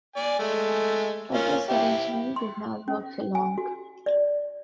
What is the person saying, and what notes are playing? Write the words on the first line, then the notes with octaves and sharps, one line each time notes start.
But this arrangement did not work for long.
D5 G#5
G#3 A3
A#3 C#4 F4
E4 G4
C6
C#4
G#5
F#4
D5